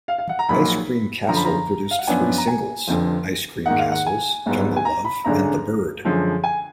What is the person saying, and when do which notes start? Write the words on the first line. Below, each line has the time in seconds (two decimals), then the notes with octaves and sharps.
"Ice Cream Castle" produced three singles: "Ice Cream Castles", "Jungle Love", and "The Bird".
0.08 F5
0.18 F5
0.29 F#5
0.39 A#5
0.48 A#1 A#2 F#3 A#3 D#4 B5
1.27 F#2 D3 F3 A#5
1.36 B5
1.44 A#5
1.91 F5
1.99 F#5
2.07 F#2 F3 B3 D4 G#5
2.38 A#5
2.47 G#5
2.87 F1 F2 D3 F3
3.66 G#2 D#3 A#3 D#4 F#5
3.79 F5
3.92 F#5
4.06 G#5
4.46 G#1 G#2 F#3 B3
4.76 G#5
4.85 A#5
5.05 B5
5.24 G#1 F#2 D3 G#3 D4 A#5
6.05 F#2 D3 F3 G#3
6.44 G#5